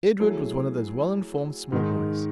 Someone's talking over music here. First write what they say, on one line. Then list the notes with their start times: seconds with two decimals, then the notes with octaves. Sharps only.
Edward was one of those well-informed small boys.
0.20 F#3 A3 E4 G#4
1.72 G#2 D#3 G#3 D#4